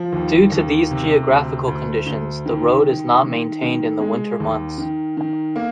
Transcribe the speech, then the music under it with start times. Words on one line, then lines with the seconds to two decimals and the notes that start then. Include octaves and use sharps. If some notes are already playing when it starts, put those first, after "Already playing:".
Due to these geographical conditions, the road is not maintained in the winter months.
Already playing: F3
0.12 D#2
0.52 D#2
0.91 C3
1.29 D2
1.68 D2
2.07 D2
2.46 D#3
2.84 D#3
3.23 D#3
3.62 D#3
4.00 G#3
4.40 D#2
4.78 D#3
5.17 D#3
5.56 A#3